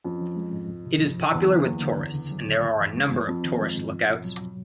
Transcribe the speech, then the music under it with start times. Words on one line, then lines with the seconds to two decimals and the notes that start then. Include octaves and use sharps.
It is popular with tourists, and there are a number of tourist lookouts.
0.04 F2 C#4
0.21 F3
0.36 G#3
0.52 G#2
0.68 C#2
0.85 C3
1.02 F3
1.17 C#2
1.34 E2 D3
1.50 F#3
1.67 A#3
1.82 D3
1.99 D2
2.14 C#3
2.31 F#3
2.47 D2
2.63 G2
2.80 E3
2.96 G#3
3.12 G2
3.28 F2 C4
3.44 D#3
3.61 G#3
3.77 G#2
3.93 C2
4.09 B2
4.25 F#3